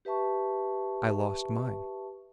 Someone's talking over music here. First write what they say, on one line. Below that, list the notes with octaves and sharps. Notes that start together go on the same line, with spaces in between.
"I lost mine."
G4 B4 E5 A5 C#6